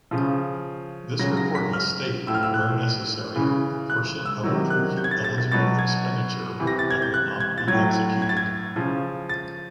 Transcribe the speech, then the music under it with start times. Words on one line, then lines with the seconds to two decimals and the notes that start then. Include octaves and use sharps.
This report must state, where necessary, the portion of approved eligible expenditure that will not be executed.
0.11 C#3 F3
1.19 C#3 F#3 A#6
1.37 A#6
1.55 B6
1.74 F6
2.27 A2 F3 E6
2.35 F6
2.43 E6
2.54 F#6
3.36 C#3 E3
3.90 F#6
4.25 E6
4.43 C3 D#3 F#3
4.70 F#6
4.97 G6
5.04 G#6
5.11 A6
5.24 A6
5.38 A6
5.51 B2 F#3 A6
5.79 G#6
6.60 C3 E3
6.67 A#6
6.79 A6
6.90 G#6
7.02 G6
7.14 F#6
7.40 G#6
7.58 A6
7.68 A2 F#3 G#6
8.22 G#6
8.29 A6
8.37 G#6
8.76 C#3 F3
9.29 A6